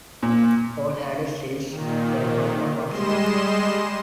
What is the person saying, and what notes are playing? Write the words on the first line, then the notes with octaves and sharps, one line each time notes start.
All had a sylised temple on one side.
A#2
A#2 D#3
G3 G#3 D#5 C6 E7